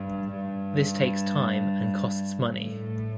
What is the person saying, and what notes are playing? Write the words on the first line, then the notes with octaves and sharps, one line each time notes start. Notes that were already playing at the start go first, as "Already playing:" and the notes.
This takes time and costs money.
Already playing: G2
G2
A2